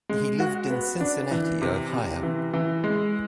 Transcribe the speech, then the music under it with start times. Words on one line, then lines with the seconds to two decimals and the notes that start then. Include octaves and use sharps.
He lived in Cincinnati, Ohio.
0.09 G#3
0.40 F#4
0.70 B3
1.01 D4
1.31 E3
1.62 C3
1.93 C3
2.23 E3
2.53 E3
2.84 G#3